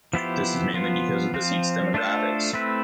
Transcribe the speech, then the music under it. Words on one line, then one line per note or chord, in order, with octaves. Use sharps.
This is mainly because of the seat's demographics.
F3 B3 E4 G4 C5
F3 B3 F4
F3 C4 F4
A3 D4 F4 A4 C5
A3 C4 E4 B4